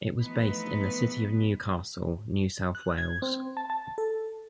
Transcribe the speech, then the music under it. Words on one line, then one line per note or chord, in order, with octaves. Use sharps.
It was based in the city of Newcastle, New South Wales.
E3 F3 A3 B3 D#4 B4
F#6
G#6
C4
A5
A5
A4